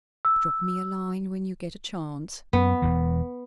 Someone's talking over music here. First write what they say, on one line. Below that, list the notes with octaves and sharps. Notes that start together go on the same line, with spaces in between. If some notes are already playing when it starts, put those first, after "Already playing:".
"Drop me a line when you get a chance."
E6
F#2 B3
E1 E2 E3